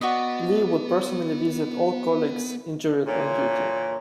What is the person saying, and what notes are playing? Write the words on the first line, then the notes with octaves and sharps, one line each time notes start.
Lee would personally visit all colleagues injured on duty.
B3 F#4 D5 D#5
A#2 D3 E3 C#5